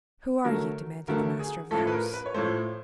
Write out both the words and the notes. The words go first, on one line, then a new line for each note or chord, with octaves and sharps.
"Who are you?" demanded the master of the house.
D3 F#3 A3 A#4
D3 F#3 A3 A#4
G#4
A2 F3 A3 A4
B4
A#4
B4
C#5
A2 F3 A3 C5